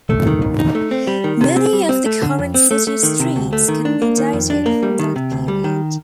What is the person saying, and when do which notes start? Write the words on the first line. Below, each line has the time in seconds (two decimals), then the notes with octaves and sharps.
Many of the current city streets can be dated from that period.
0.10 A3
0.27 D#3
0.42 D#2
0.59 D#4
0.75 A3
0.91 C4
1.07 G3
1.24 D#3
1.41 C3
1.56 C4
1.73 G3
1.89 C4
2.06 A3
2.22 D3
2.39 F2
2.54 C4
2.71 A3
2.87 A3
3.03 D#3
3.20 C3
3.36 D2
3.53 A3
3.68 D#3
3.85 D4
4.02 A#3
4.18 D#3
4.33 F2
4.50 D4
4.66 A#3
4.83 G3
4.99 D#3
5.16 C3
5.32 D2
5.48 G3
5.64 D#3